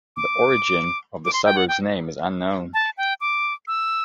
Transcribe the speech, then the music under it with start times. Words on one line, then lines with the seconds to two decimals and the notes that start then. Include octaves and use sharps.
The origin of the suburb's name is unknown.
0.17 D6
1.25 D6
1.33 C6
1.45 G5
1.57 F#5
1.68 G5
2.74 A5
2.97 G5
3.21 D6
3.68 E6